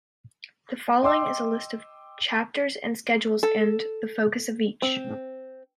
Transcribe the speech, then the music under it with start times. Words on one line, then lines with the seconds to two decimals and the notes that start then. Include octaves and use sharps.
The following is a list of chapters and schedules and the focus of each.
1.02 D#5 G5 C6 D6 E6
3.43 A4
4.82 C4